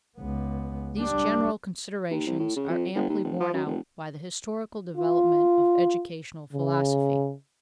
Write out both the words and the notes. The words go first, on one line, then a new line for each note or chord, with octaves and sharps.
These general considerations are amply borne out by the historical development of educational philosophy.
C#2 B3
G3 D4
D#2
C2
A2
C#3
F2
G1
D#2
F1
F3
F#2
F1
F4
C#3